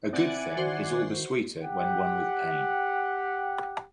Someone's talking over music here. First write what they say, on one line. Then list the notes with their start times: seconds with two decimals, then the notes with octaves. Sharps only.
A good thing is all the sweeter when won with pain.
0.13 C4 E4 D5 F#5 G#5
0.57 D#3 F#4 C5 C7
1.63 G4 F#5